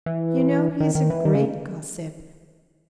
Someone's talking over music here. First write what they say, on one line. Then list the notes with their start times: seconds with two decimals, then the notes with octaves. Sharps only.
You know he is a great gossip.
0.06 E3
0.80 D#3
0.95 D#3
1.10 E3
1.25 D#3
1.34 C#3